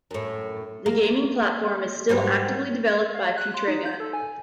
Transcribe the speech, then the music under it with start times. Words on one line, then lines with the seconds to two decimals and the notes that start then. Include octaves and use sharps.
The gaming platform is still actively developed by Futrega.
0.11 F#2 A2
0.86 A#3
2.09 G#2 F#3 G3
3.15 F5
3.37 F#6
3.54 C6
3.68 D#4
3.86 G6
4.00 A4
4.13 G#5